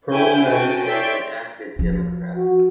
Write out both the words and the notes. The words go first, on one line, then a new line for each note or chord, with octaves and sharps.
Perlman is an active Democrat.
E4 G5 G#5 G6
F#4 A4 G5 G#5
C#5 D5 E5 G5 C6
F3
F#4